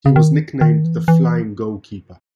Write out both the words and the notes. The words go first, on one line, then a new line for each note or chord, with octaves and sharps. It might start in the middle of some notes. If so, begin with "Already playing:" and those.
He was nicknamed the "Flying goalkeeper".
C#3
D#3
D#3
E3
E3